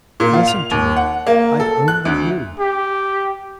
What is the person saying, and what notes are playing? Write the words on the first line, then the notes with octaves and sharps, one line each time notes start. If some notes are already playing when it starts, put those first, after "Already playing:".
Listen to me, I've only you.'
A#2
F4
F7
D#2
F#5
A#3
A4
F#6
D2
G4